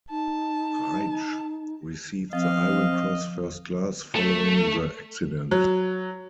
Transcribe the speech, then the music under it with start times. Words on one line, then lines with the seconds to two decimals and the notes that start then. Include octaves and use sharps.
Reitsch received the Iron Cross First Class following the accident.
0.10 D#4 A5
2.33 F3 C4 D#5 F5
4.16 A3
5.51 F#3